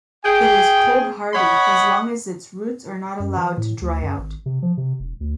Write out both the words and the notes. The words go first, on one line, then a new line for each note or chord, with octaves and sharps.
It is cold-hardy as long as its roots are not allowed to dry out.
G#4 G5
C#5 D#5 F#5 B5
F#2
E3
A2
D2
F#2
G#1
C3
F3
C3
E1
D2